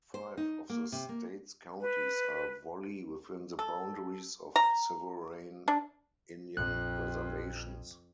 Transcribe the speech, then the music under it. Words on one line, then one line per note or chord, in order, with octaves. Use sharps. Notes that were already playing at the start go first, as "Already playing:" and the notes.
Five of the state's counties are wholly within the boundaries of sovereign Indian reservations.
C5
D#4
A#3
C3
A#3
B4
A4
A#5
D4
A#1 F2 F#6